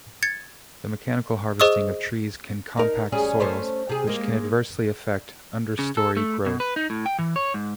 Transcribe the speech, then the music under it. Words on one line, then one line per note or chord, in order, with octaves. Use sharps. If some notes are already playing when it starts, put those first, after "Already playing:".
The mechanical harvesting of trees can compact soils, which can adversely affect understory growth.
G#6 A6 C#7
G#4 C5 D#5 C#6 D#6 E6
D#4 A#4
G3 C#4 G#4
A3 C#4 C5
C3 G#4
G#3 A#3
C#3
A4
A3
B2
B4
D#4
A2
G5
E3
C#5
G#2